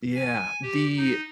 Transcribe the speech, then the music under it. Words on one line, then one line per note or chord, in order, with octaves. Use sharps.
Yeah, the
G#5
G4
D#4